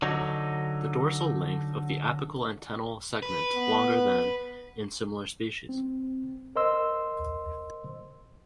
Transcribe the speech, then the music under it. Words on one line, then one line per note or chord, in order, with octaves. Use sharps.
The dorsal length of the apical antennal segment longer than in similar species.
D3 F#3 D#4
B4
B3
C4
A#4 C5 D#5 C6 E6